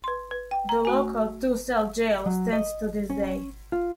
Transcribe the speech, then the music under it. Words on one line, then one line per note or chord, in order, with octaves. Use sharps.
The local two-cell jail stands to this day.
B4 C6
B4
G5
A#5
A3 F#4 G#5
F#3
D#5
C#4
F4